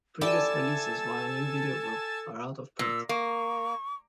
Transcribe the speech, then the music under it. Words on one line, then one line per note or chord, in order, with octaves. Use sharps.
Previous releases via New Video Group are out of print.
E4 G4 A4 D5 G#5 A5 E6
A#2 E6
A#3 C#6